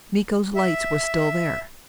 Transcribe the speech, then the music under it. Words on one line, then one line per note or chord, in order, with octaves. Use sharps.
Miko's lights were still there.
E5